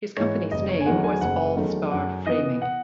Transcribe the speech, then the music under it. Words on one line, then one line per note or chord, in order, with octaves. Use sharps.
His company's name was All Star Framing.
G#2 E3 C#5
F#1 D#5
C#5
G#5
E2 D#3 F#3 A3 F#5
G#5
F#1 F#5
E2 D#3 F#3 A3
F#2 F#5
E3 B3 D#5
F#5